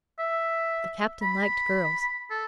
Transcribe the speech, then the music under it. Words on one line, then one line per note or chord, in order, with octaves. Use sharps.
The Captain liked girls.
E5
B5
A4